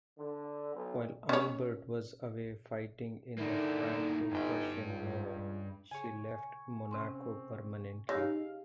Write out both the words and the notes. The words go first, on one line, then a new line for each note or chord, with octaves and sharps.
While Albert was away fighting in the Franco-Prussian war, she left Monaco permanently.
D3
B1
C#4 C#5
D3 A#3 D#4 E4
G1 G2 G5
C#2
C#3 G#4 G#5 C#6
C3 C4 C#4 C6
C#3 D#4 G4 F5 E6 A#6